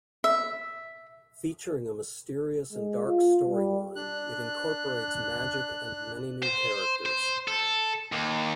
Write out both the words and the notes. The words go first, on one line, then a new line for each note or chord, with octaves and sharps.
Featuring a mysterious and dark storyline, it incorporates magic and many new characters.
E5
G#3
F4
G3
D4 F#6
C5
C5
A4
D#2